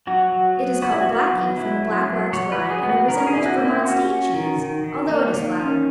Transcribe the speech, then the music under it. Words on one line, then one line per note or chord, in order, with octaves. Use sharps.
It is called Blackie from the black-waxed rind and it resembles Vermont State cheese, although it is flatter.
F#3 F#4
F#3
B3
B3 F#4
E4
F#4
B3
F#3
F#3 E4
F#3
F#3
F#3 C#5
B4
F#3
G#4
B3
F#4
D#3 A#4
G#4
C#4 E4
F#4
A#3
E4
C#4 F#4
C#4
D#3
D#3
D#3
A#3
D#3
C#4